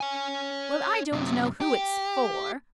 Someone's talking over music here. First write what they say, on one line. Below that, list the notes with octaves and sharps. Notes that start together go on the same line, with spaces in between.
Well, I don't know who it's for!
C#5 G#5
F#2 C3
G4